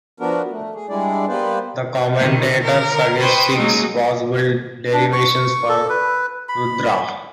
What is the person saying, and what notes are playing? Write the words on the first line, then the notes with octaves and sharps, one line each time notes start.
The commentator suggests six possible derivations for "rudra".
F3 B3 D4 F#4 A#4
A3
G#4
G3 G#3 D4 E4 G#4 D5
G3 A#3 B3 B4 C5 D5
B2 D3 D#3
D3 A#4
B4 C5 G5 B5 C#6 D#6
C#3 F#3 G#3 A#3 D#4
D4
C#6
A4
B4
B5